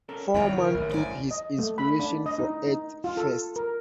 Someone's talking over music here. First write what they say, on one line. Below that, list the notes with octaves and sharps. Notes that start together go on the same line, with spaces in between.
Foreman took his inspiration for Earth First!
C#4 A4 A#4
F2 C3 D#3 E4 F4 G4 C#5
C#3 A#4
A1 E2 G#2
D2 D5 G#5
D#5
A3
B5
D4
D#5
D#4
D#4
F4
A4
A#4